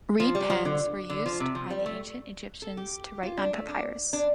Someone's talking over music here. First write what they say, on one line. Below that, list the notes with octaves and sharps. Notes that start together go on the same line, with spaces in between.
Reed pens were used by the ancient Egyptians to write on papyrus.
F3
G3
F3
D3
D3
F3
C3
F3
G3
A3
A4
G4
F4
D4
A3
D4
D4